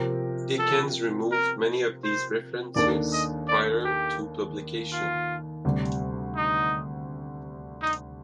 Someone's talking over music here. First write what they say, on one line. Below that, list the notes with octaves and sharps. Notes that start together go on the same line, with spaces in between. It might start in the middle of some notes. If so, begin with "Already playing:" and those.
Dickens removed many of these references prior to publication.
Already playing: C3 F3 C4 G4 A#4
A4
A#4
C5
D#2 D#3 A#3 D4 A4 D5
D#5
D5
G4
F4
D2 C3 G3
D#4
D#4